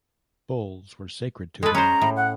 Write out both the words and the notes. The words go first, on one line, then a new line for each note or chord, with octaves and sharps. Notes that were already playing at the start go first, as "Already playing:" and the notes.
Bulls were sacred to him.
G#3 A4 B4
C#4 C5 A#5
A2
F#5